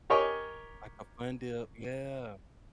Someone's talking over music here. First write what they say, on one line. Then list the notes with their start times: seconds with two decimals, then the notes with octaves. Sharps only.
Like a fun dip, yeah.
0.10 G4 A#4 C#5 D#5 G#5 C#6